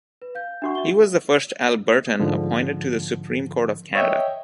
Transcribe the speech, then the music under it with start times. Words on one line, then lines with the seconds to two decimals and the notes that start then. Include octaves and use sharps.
He was the first Albertan appointed to the Supreme Court of Canada.
0.22 B4
0.35 F5 G6
0.62 D4 F#4 E5 F#5 C#6
0.75 E5 G7
2.19 G#2 D3 F3
3.95 C#5 D#5 E5 G5